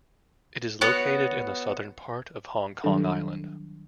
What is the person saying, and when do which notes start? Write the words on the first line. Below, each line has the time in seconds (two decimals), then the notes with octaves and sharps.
It is located in the southern part of Hong Kong Island.
0.81 B3 F#4 C#5
2.84 D#3 F#3 G3 D4 A4